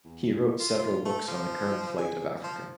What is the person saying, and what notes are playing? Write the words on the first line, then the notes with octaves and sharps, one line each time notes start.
He wrote several books on the current plight of Africa.
E2
F4
F4
A3
F3
G#4
F3